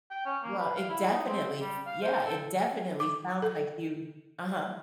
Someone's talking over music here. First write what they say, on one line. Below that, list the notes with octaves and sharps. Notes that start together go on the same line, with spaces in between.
Well, it definitely s Yeah, it definitely sounds like you Uh-huh.
G5
C#4
A#3
B4
F5
E4
D#4
C4
G3
F5
C5
A4
D6
A4